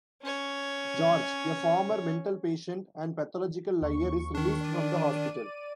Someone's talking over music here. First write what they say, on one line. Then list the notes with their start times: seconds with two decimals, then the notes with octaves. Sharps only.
George, a former mental patient and pathological liar, is released from the hospital.
0.22 C#4 C#5
3.81 D#2 C#6
4.35 D#3 D4
4.61 D5 D#7